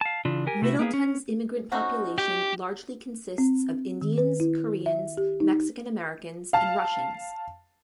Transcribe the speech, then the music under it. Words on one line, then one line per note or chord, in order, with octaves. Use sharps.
Middletown's immigrant population largely consists of Indians, Koreans, Mexican Americans and Russians.
F5 A5
C#3 E3 D4 F4
G4 A#4 G#5
C3 A3 E4 F#4
A#3 B3 G#4 F5
C#4
C#4 D#4 F#4 C5 F#5
G4 G6
C4
D#3
B4
E4
E5
G4
D#4
F5 A5